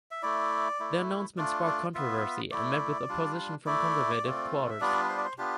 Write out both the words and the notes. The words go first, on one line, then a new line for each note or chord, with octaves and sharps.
The announcement sparked controversy and met with opposition from conservative quarters.
E5
A3 E4 D5
A3 E4
A3 D4 F4 D5
D5
B3 F4 E5
A3 E4 D5
G3 D4 F4
A3 E4 D5
A3 C4 F4
E5
G3 B3 D4 F4 D5
C5
D5
C5
B3 D4 F4 G4